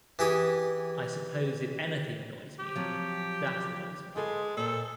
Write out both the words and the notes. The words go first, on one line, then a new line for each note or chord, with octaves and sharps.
I suppose if anything annoys me, that annoys me...
E3 G4 G#4
G4
F3 F#3 C4
G#3 F4 A4 B4
A#2 A4 C5